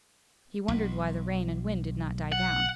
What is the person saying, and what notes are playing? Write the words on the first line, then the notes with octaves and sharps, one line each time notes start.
He wondered why the rain and wind did not die down.
B1
F#5